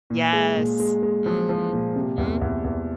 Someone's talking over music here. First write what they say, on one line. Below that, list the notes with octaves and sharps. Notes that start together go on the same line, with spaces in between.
Yes. Mm-mm hmm.
A#2
G#3
A#2
G#3
G#3
F3
F3
A#2
C3
E2
E2
E2